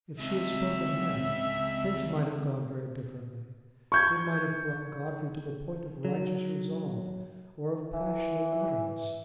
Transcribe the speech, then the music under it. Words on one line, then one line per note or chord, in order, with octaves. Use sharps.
If she had spoken then, things might have gone very differently: it might have brought Godfrey to the point of righteous resolve or of passionate utterance.
C#2 C4 E5
C#6 G6 G#6
F#3
E3